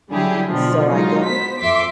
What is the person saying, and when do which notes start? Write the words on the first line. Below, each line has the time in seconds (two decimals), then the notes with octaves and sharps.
So, I go
0.11 D3 F#3 G3 E4 G4 G#4
0.49 B2 D3 F3
0.94 F#3 G#3 D#4 F4
1.28 B3 C5 B6
1.59 F2 E5 C6 D6 B6